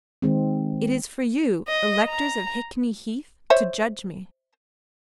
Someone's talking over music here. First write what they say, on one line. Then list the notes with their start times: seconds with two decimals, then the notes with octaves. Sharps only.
"It is for you, electors of Hickney Heath, to judge me."
0.22 D#3 G#3 C4
1.68 D#5
2.08 A#5
3.50 C5 C#5 E5